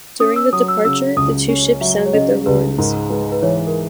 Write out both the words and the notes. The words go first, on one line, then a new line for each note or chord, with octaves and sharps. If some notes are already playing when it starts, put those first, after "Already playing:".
During the departure, the two ships sounded their horns.
C#4 D#6
E6
F#3 D#6
E6
C#3 E6
C#2 D#6
C#4
F#3 E5
C#5
C#3 D#5
C#2 B4
G#2 A#4
G#3 B4
B4
E3 C#5
A#4